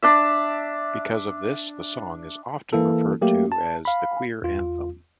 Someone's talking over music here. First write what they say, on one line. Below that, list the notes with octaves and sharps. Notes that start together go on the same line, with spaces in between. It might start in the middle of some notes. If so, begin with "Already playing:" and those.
Because of this, the song is often referred to as the Queer Anthem.
D4 D5 E5
E3 A#3 E4 A4
F#3 A3 A#3 G4
A5
F5 B5
E2 F4